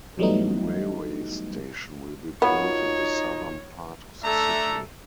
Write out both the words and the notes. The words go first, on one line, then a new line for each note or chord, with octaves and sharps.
A new railway station will be built in the southern part of the city.
E3 F#3 G3 A3 B3 D#4
B3 D#4 F4 F#4 A#4 C#5
A3 D4 A4 E5 A#5